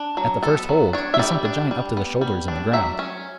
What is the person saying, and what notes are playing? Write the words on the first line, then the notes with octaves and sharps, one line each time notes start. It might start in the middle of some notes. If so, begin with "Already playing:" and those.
At the first hold, he sunk the giant up to the shoulders in the ground.
Already playing: D4
F#3
B3 A4
F#3
D4 C#5
E5
G3 D5
D4
G3
B3
G3
D4
F#3 E5
C#4